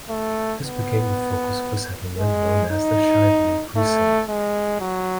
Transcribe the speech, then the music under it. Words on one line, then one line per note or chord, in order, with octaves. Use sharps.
This became the focus of a settlement known as the Shively precinct.
A3
B3
G#3
D#4
A3
G#3
F#3